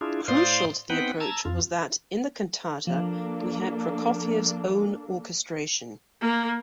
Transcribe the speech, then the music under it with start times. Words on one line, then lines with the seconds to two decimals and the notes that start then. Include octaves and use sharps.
Crucial to the approach was that in the Cantata we had "Prokofiev's own orchestration".
0.01 D4 E4 F4 G#4
0.28 A2 C5 D5 F5 C6 D#6
0.90 B3 C4 D#4 B4 F#5 G5
1.20 A5 A#5 E6 G#6
1.45 F2 F4
2.87 F3 A#3 D4 A4
6.21 A#3